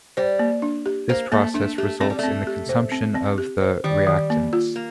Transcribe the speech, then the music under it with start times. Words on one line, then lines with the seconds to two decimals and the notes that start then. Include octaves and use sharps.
This process results in the consumption of the reactants.
0.17 G3 C5
0.39 A#3
0.62 D4
0.86 G4
1.09 A#3 C5
1.32 A3 A#3
1.54 A3 D4
1.78 A3 G4
2.01 A3 C4
2.10 G3
2.19 A3 C4
2.47 G4
2.69 C5
2.92 C4
3.15 C4
3.38 G4
3.61 C5
3.84 D#3 G3
4.07 D#3
4.30 A#3
4.53 F4
4.76 A#3